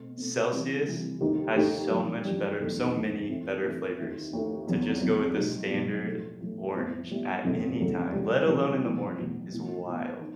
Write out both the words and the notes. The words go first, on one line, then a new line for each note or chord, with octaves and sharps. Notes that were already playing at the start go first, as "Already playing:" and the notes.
Celsius has so much better so many better flavors. To just go with the standard orange at any time, let alone in the morning, is wild.
Already playing: B2 A3 C4
B2 A3 C4
C2 C3 E3 G3
C2 C3 E3 G3
D#2 D#3 A3 D#4 G4
D#2 D#3 A3 D#4 G4
F#2 E3 G3
F#2 E3 G3
F#1 E2 D#3 A3 D#4
F#1 E2 D#3 A3 D#4
A2 E3 A3 C4 E4
A2 E3 A3 C4 E4
D#2 D#3 A3 E4
D#2 D#3 A3 E4
E2 C3 F#3 B3
E2 C3 F#3 B3
B1 A2 G3 D#4 F#4
B1 A2 G3 D#4 F#4
A2 F#3 A3
A2 F#3 A3
A2 G3 B3 E4
A2 G3 B3 E4
F#1 E2 C3 F#3 A3
F#1 E2 C3 F#3 A3
C2 C3 E3 G3
C2 C3 E3 G3
B1 A2 E3 B3 F#4
B1 A2 E3 B3 F#4
A2 E3 B3
A2 E3 B3
D#3